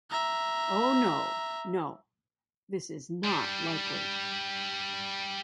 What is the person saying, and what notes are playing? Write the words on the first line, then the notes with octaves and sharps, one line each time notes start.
Oh, no, no — this is not likely.
E5 A#5
G3 D4